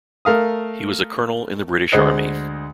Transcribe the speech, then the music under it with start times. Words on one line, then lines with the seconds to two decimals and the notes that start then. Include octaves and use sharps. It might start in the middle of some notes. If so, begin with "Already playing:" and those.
He was a Colonel in the British Army.
0.25 A3 A#4 F5 D#6
1.92 D2 G#3 C5 D#5 F#6